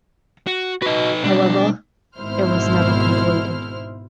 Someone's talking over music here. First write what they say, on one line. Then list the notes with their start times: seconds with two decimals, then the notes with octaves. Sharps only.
However, it was never completed.
0.47 F#4
0.82 D#4 F#4 B4 D#5
1.24 B2 G3 D4
2.18 G#1 G#2 B2 E4 C5 F6